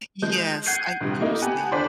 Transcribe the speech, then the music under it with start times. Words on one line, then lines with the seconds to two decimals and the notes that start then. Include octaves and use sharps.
Yes, I understand.
0.22 F3 G#3 G6
0.66 F#5 G6 G#6 C7 D#7
1.01 A#1 G2 C3
1.20 A3 A#3 D#4 E4
1.41 B3 G4 F#5 G#5 A5
1.71 D#2 D3 C5 D5 D6 B6